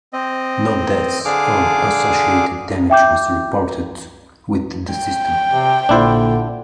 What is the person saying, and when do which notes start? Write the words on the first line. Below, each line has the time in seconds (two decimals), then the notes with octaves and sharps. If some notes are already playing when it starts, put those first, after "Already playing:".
No deaths or associated damage was reported with the system.
0.13 C4 D#5
1.25 D3 D4 G#4 F5 D6
2.90 E5 G5 D6 G6
4.92 G5
5.51 C3
5.89 A#1 A#2 D3 D4 E4 C5 A5